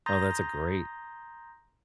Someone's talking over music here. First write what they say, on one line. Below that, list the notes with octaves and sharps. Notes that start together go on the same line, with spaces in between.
Oh, that's a great
A#5 C6 D#6 G6 A6 A#6